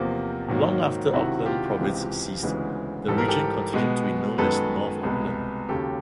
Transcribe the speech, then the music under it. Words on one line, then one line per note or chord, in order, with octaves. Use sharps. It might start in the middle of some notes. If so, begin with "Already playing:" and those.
Long after Auckland Province ceased, the region continued to be known as North Auckland.
Already playing: E2 C3 F3 A#3 F4
G#2 D#3 F#3 A#3
C#2 C3 D#3 E4 F#4
F4 G4
C#2 C3 E3 G#3
D2 C#3 E3 G#3 B3
G#2 E3 G3 A4
A#4
G4 A4
B2 G#3 B3
F#2 D#3 G#3 B3 A4 B4
C2 B2 G#3 B3
D#2 C#3 F#3 G4 A4